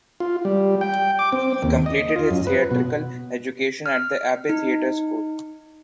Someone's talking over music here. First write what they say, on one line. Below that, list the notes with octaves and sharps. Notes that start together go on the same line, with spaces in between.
He completed his theatrical education at the Abbey Theatre School.
F4
G3
G5
D6
C4
D#2
D#5
F4
F#2
B4
B2
F6
D#4